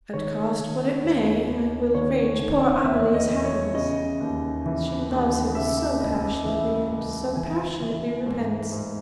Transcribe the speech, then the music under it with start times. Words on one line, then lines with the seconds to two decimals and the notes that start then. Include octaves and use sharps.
And cost what it may, I will arrange poor Amelie's happiness, she loves him so passionately, and so passionately repents.
0.13 D#3 C#5
0.59 D#3
1.04 D#2
1.49 D#2
1.94 D#3 C#5
2.39 D#3
2.84 E2 E5
3.14 D#5
3.30 E2
3.44 C#5
3.74 C#3 D#5
4.20 D#2
4.66 E3
5.10 D#2
5.55 C#3 E5
6.01 C#2 D#5
6.45 E3 E5
6.91 C#2
7.36 E3 G#5
7.82 E3
8.26 G#2
8.72 G#2